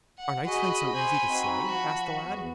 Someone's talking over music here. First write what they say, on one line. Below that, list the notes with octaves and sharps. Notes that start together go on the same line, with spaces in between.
'Are knights then so easy to slay?' asked the lad.
F#5
F#4 G#4 D#5 B5
C5 G#5 C6
C4 D#4 F#4
F3 F#4
E2 B3